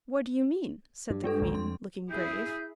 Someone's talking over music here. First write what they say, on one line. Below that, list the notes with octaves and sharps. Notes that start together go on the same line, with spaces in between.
"What do you mean?" said the queen, looking grave.
G2
G#3 D4 A4
A1 D#2 D3
F2 C6
E4 G#4 G6